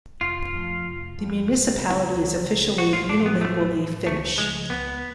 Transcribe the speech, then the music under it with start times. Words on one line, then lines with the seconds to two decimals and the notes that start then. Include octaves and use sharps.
The municipality is officially unilingually Finnish.
0.21 F1 F4
0.53 F2 F3 A3
0.85 F1
1.18 F2 F3 A3
1.49 C#2
1.81 C#3 G#3
2.14 C#2
2.45 C#3 G#3
2.78 A1 F#4
2.93 F4
3.09 A2 F3 D4
3.26 B3
3.41 A1 A3
3.74 A2 F3
4.07 C#2 A3
4.38 C#3 F3 G#3 A3
4.70 C#2 B3